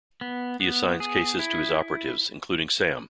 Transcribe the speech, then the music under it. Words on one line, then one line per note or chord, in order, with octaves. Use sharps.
He assigns cases to his operatives, including Sam.
B3
B3
G#4
E4